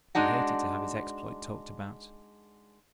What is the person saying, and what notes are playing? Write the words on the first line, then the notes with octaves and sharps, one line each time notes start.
He hated to have his exploit talked about.
G#3 D4 D#4 F#4